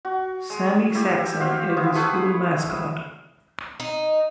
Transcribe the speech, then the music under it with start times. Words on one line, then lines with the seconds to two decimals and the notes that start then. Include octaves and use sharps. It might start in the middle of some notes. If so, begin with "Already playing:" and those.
Sammy Saxon is the school mascot.
0.05 F#4
0.50 G#3
0.95 E4 G4
1.40 F#4 G4 C5 F5
1.77 E4 F4 D#6
1.95 A3 G#4 B4 F#5
3.80 D#4